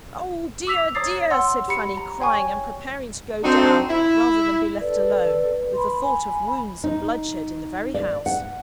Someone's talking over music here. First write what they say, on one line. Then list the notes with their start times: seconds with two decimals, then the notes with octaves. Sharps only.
'Oh, dear, dear!' said Fanny, crying, and preparing to go down rather than be left alone, with the thought of wounds and bloodshed in the very house.
0.67 D6 E6 B6 F7
0.95 C#5 A#5 D6 D#6 A6 C7
1.31 F#5 C6 E6
1.68 G4 B5 C#7
1.97 A#5
2.21 C#5 G5 G#5 C#6
3.44 C4 D4 D#4 F#4 A4 C5
3.90 E4
4.81 A4 B4 D5
5.76 B5 C6
6.03 G#5 B5
6.84 D#4
7.94 D5
8.26 F#5